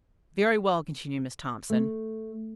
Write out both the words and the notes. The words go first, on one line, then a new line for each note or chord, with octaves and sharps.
"Very well," continued Miss Thompson.
A3